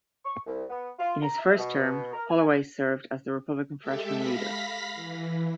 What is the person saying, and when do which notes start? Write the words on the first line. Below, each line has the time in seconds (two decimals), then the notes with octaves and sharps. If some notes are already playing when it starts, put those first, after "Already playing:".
In his first term, Holloway served as the Republican Freshman Leader.
0.25 C#6
0.46 C2
0.69 B3
0.99 F4
1.22 A#5
1.38 E5
1.58 B2
2.13 A#4
2.30 G#5
3.81 G#3 G4 A4 E5
4.14 F5 B5 A#6 B6
4.94 E3